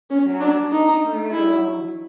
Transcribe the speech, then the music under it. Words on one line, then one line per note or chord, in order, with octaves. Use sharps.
That's true.
C#4
D4
D#4
E4